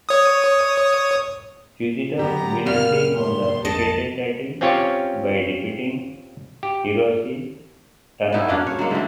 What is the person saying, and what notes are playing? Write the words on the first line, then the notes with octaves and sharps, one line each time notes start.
Fujita immediately won the vacated title by defeating Hiroshi Tanahashi.
C#5 D#6
D3 F#3 B3 G4 A#5
F#1 A#2 F6
C6
A#1 F2 D#5 A5
C4 C#4 F4 G4 C#5
G4
B3 C#4 D#4 E4
A#3 C#4 D4 F#4
C#5
F#3 G#3 A#3 C4
D3 E3 F#3 C4